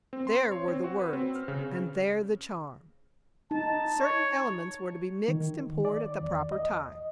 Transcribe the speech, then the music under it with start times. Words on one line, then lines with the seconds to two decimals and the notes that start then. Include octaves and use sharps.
There were the words, and there the charm. Certain elements were to be mixed and poured at the proper time.
0.13 C4
0.27 C6
0.52 C#5
0.68 C4
0.84 F#4
0.99 B4
1.13 C4
1.36 F6
1.48 C#3
3.51 D#4 A5
3.99 C#5
5.28 D#3
5.85 D5
6.21 E2
6.52 D#5